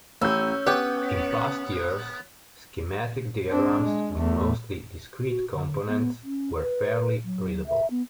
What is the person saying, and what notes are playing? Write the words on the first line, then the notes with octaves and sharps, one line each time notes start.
In past years, schematic diagrams with mostly discrete components were fairly readable.
A1 C#4 E6 G6
B3 G4 C#5
C4 D4
G#3
E2 A3
F#4
D3
B3
C#4
B4
F#3
E5
B3